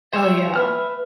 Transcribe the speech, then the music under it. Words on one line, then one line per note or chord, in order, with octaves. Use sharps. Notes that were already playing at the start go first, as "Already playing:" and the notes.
Oh, yeah.
C5 C#5 E5
B4 E5 F6